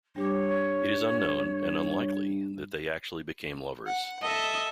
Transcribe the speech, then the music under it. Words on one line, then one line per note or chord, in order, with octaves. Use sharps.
It is unknown, and unlikely, that they actually became lovers.
G2 G3 G4 C#5 D6
F#5
A4 D#5 E5